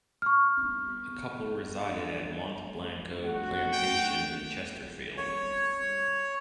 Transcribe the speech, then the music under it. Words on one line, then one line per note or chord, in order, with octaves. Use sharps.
The couple resided at Mont Blanco plantation in Chesterfield.
C#6 F6
F#4 F#5
G5
C#5